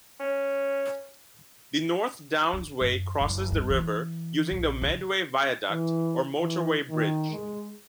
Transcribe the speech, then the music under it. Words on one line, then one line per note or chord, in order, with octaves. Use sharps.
The North Downs Way crosses the river using the Medway Viaduct or motorway bridge.
C#4
D4
F#2
F#1
G2
E3
A#1
C#3
E3
E3
D#3
G#3